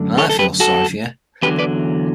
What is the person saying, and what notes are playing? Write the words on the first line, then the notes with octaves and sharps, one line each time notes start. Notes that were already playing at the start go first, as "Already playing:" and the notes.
I feel sorry for you.
Already playing: F#2 D3 A3
A4 C#5
A4
G4 B4
F#4 A4
E2 D3 F#3 G4 B4
B4 D5